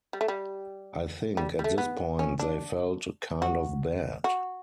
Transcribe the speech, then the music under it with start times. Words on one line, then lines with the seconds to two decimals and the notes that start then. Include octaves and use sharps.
I think at this point they felt kind of bad.
0.13 G3
0.21 A3
0.28 G3
1.37 G3
1.59 G3
1.64 A3
1.78 B3
2.19 C#4
2.39 D4
3.42 F#4
4.24 F#4